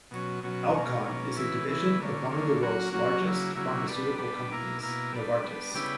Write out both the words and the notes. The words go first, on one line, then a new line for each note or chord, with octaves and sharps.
Alcon is a division of one of the world's largest pharmaceutical companies, Novartis.
B2 F#3 C#4
B2 F#3 C#4
B2 A#3 C#4
B2 A#3 C#4
C#3 E3 B3 E4
C#3 E3 B3 E4
D3 A#3 C#4
D3 A#3 C#4
F#3 A#3 C#4 F#4
F#3 A#3 C#4 F#4
C#3 F#3 A#3 E4
C#3 F#3 A#3 E4
G3 B3 D4
G3 B3 D4
B2 A#3 E4 A#4
B2 A#3 E4 A#4
G3 B3 D4
G3 B3 D4
C#3 G3 B3 E4 G4